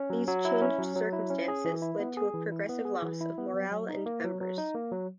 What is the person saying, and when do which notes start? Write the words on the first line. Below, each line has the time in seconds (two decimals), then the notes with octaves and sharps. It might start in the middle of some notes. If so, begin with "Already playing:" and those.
These changed circumstances led to a progressive loss of morale and members.
Already playing: C#4
0.10 F#3
0.28 F#3
0.45 E4
0.62 C#4
0.78 F#3
0.96 F#3
1.13 E4
1.30 C#4
1.48 G#4
1.65 E3
1.82 E4
1.99 B3
2.17 G#4
2.34 E3
2.52 E4
2.69 B3
2.85 G#4
3.03 E3
3.21 E4
3.38 B3
3.54 F#3
3.72 F#3
3.89 D#4
4.06 A#3
4.24 F#3
4.41 F#3
4.58 D#4
4.75 A#3
4.92 F#3